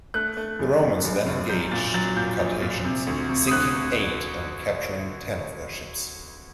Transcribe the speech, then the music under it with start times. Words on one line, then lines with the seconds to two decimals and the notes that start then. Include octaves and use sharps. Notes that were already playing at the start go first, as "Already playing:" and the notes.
The Romans then engaged the Carthaginians, sinking eight and capturing ten of their ships.
0.14 A3 F#6
0.37 A3
0.59 F#1
0.82 F#2
1.04 F#1
1.26 F#2
1.49 F#3 G6
1.71 A#2 A6
1.94 F#3 A6
2.17 A#2 G6
2.39 A#1
2.62 A#2
2.85 C3
3.07 D2
3.29 C3
3.47 D#6
3.51 D2 F#6